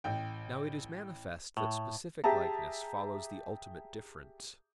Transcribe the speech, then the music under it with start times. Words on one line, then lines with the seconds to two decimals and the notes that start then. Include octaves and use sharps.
Now it is manifest that specific likeness follows the ultimate difference.
0.04 A1 G5
1.57 A2
2.24 G4 G#4 E5 A5 A#5